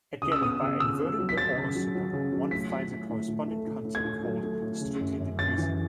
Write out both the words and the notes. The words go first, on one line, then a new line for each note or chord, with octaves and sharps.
Again, by inverting the order symbol, one finds a corresponding concept called strictly decreasing.
C#3 D#6
E6
B3 D#6
C#3
C#3 E6
B3
F#3
B6
F#3 A6
C#3
F#3
F#3
C#3
F#3
A2 B6
F#3
A2
A2
A2
A3
A2
A2
G#6
A2
F#3
A3
A2
C#3
F#2
F#2
F#2 A6
E3